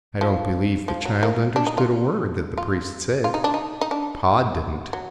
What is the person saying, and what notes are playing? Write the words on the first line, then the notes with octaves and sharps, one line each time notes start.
I don't believe the child understood a word that the priest said; Pod didn't.
F3
F3
F#3
A#3
D4
D#4
F4
F4
F4
D#4
D4
D#4
D#4
D4
F#3